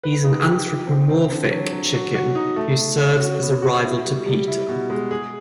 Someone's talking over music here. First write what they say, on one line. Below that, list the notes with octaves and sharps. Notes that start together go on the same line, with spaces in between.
He is an anthropomorphic chicken who serves as a rival to Peter.
B4
D#4
G4
G4
C4
C4
D3
F#3
F#3
F#4
F#4
D#4
A3
A3
C#4
F#4
B3
F#4
E4
G3
G3
E4
B2
G#3
G#4